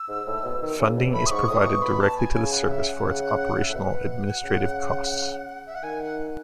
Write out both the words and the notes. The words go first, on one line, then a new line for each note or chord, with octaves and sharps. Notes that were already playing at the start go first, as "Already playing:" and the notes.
Funding is provided directly to the service for its operational administrative costs.
Already playing: E6
G#2
A2
B2
D#3
C#3
B2
A2 B5
D#6
G#2 C#6
A2 D#6
B2 C#6
B5
A5
G#5
C#3 G#5
F#5
E5
F#5
C#3
E5
A2
B2 F#5
C#3
E5
F#5
D#3 G#5
F#5